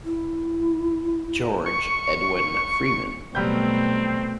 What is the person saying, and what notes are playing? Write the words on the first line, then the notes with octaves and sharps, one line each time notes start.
George Edwin Freeman.
E4
C#6
B2 F#3 G3 A3 C4 G6